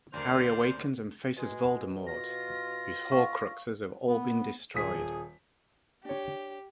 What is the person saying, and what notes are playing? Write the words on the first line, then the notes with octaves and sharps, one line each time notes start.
Harry awakens and faces Voldemort, whose Horcruxes have all been destroyed.
D2 A#4 C5 D5 F6 C7
B2 G#3
F4 A#6
F5 C#6
B3
D#1 G#4 D#6 B6
D4 G4 C#5